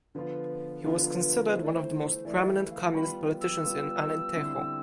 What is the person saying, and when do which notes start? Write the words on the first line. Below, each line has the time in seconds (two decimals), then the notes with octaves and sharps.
He was considered one of the most prominent communist politicians in Alentejo.
0.15 D3 F3 B3 F4 B4
0.84 D3 F3 B3 F4 B4
1.54 E3 A3 E4 C5
1.64 D5
1.73 C5
2.25 E3 A3 E4 D5
2.48 E5
2.71 F5
2.94 G3 B3 F4 B5
3.41 E6
3.64 G3 B3 F4
4.35 D3 G3 C4 E4